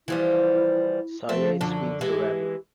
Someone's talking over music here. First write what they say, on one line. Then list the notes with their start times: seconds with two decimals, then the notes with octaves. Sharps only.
Sayegh speaks Arabic.
0.08 E3 F3 G3 E4
1.29 F3 A3 C4
1.61 F#2 D3 D4
2.01 E3 G#3 G4